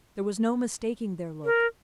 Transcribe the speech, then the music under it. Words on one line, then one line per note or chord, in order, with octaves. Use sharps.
There was no mistaking their look.
A#4